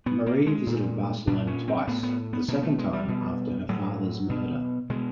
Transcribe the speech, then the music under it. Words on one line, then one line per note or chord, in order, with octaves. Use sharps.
Marie visited Barcelona twice, the second time after her father's murder.
B2 B3
A#3
G#3
A#2
A#2 D4
C#4
C4
A2 B3
B3
B3
B2 A#3
A3
G#3
G3
B2
A2 F#3
B2
B2 G#3